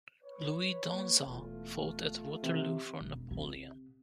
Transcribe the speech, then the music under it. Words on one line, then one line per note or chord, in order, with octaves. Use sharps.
Louis Danzas fought at Waterloo for Napoleon.
B4 C#5
A#3
E1 A3 F4
C3 E3
E1
C3